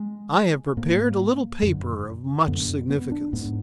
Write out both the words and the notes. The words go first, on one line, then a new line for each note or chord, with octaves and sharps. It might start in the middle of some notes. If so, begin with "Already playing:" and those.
I have prepared a little paper of much significance.
Already playing: G#3
G#2 A#3
F#2 D3
F#2 D3 B3
B3
D4
G#2 B3